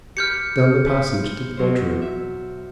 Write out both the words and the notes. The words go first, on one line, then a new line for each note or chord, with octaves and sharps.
Down the passage to the bedroom.
G4 B4 F6 G6 C#7
B4 C5
B2 F#3 C5
E5